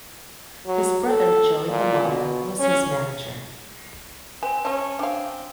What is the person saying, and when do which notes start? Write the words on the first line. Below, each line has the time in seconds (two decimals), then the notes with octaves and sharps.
His brother Joey LaMotta was his manager.
0.67 F#3
1.08 A4
1.69 A#2
2.05 B2
2.59 C#4
4.43 C4 B4 G#5
4.65 C#4 C5 A5
4.99 C4 D4 F5